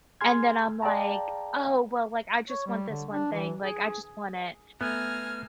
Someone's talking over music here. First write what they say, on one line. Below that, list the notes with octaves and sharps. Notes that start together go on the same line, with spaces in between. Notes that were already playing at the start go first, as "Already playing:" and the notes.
and then I'm like, "Oh well, like, I just want this one thing, like, I just want it,"
G#4 G#5 C6 F6 G#6
G#4 D5 F5 G5 A5 A#5
C#5
G3
D3
D4
E3
G#4
A3 B3 G#5 A#5 F6